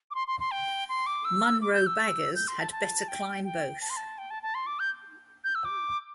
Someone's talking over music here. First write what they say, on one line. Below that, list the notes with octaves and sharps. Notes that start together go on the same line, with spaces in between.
Munro baggers had better climb both.
D6
C6
C6
C6
G5
C6
D6
E6
D6
G6
E6
G6
C6
A5
A5
G5
G5
A5
C6
A5
G5
A5
A5
C6
D6
G6
G6
E6
D6